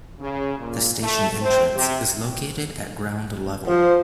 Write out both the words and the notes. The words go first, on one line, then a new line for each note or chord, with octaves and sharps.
The station entrance is located at ground level.
C#3
A#2
A3
C4
C3
F3 C5